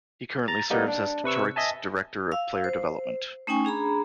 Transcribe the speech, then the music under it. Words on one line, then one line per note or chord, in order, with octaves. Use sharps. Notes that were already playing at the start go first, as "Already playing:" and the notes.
He currently serves as Detroit's Director of Player Development.
A#5 A6
G3 A#3 B3 D#4
D4
C3 B4 C#6 E6
D#5 E5 G#5 A5
F5 E6
C5
A3 C#4 D#4 G5 G#5 C#6
D4 G#4 A#5 B5